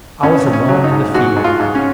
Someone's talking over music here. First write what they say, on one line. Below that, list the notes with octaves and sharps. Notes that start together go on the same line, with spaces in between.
I was alone in the field.
G#1 C#4
G#1
C#4
F#3
D#4
G#2
G#2 F#4
G#2
F4
G#2
C#4